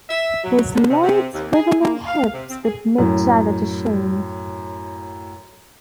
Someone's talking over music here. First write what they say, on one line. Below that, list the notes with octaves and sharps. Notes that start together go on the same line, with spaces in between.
Those lithe, swivelling hips put Mick Jagger to shame.
E5
F#3
D3
C3
C3
D#2
G#4
A#3
F5
C3
C4
G#4
F#2 A2